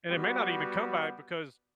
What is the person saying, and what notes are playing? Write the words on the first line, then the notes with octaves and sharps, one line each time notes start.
And it may not even come back because
G3 B3 F#4